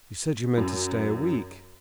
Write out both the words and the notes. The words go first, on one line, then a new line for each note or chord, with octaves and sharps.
You said you meant to stay a week.
F#2